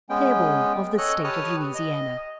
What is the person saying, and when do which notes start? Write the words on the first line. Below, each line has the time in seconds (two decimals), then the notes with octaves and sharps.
Claiborne of the state of Louisiana.
0.09 G#3 B3 C#4 G5
0.98 A4 C#5 D#5 F#6
1.24 G4 B4 C#5 A5 D#6 F6
1.75 D#5